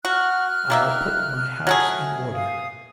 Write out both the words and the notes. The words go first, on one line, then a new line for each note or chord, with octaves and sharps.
I'll put my house in order.'
F#4 F6 F#6
D#3 A#3 E5
F#3 A3 G#4
F5 D#6